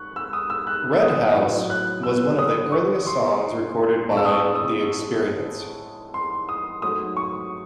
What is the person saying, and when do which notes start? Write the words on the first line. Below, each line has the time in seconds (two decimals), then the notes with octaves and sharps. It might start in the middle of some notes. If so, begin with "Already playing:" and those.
"Red House" was one of the earliest songs recorded by the Experience.
Already playing: C#6 F#6
0.16 E6
0.33 D#6
0.50 E6
0.67 F#6
1.01 D#6
1.35 A2 F#3 C#4
1.70 F#6
2.03 E6
2.39 D#6
2.72 C#6
3.07 C6
4.09 A2 G#3 C4 A5
4.17 E6
4.25 D#6
4.32 C#6
4.55 D#6
6.14 C6
6.49 D#6
6.82 G#2 F#3 A3 D#6
7.17 C#6